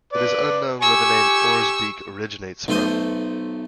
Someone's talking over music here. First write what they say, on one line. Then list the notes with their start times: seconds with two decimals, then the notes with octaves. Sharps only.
It is unknown where the name Oirsbeek originates from.
0.13 B4 D5
0.81 G4 G#5 C#6 E6
2.68 B1 A3 C5 D#6